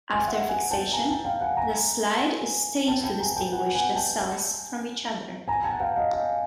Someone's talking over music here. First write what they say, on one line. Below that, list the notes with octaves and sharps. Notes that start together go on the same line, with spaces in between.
After fixation, the slide is stained to distinguish the cells from each other.
G#5
G5
E5 F#5
F#5 G#5
G5 A5
G#5 A#5
G5 A5
F5 G5
F#5 G#5
G#5 A#5
G5 A5
G5 A5
G#5 A#5
G#5
G5 A5
F#5 G#5
F#5 G#5
G5 A5
G#5 A#5
G5 A5
F#5
F5 G5
D#5 F5
D#5 F5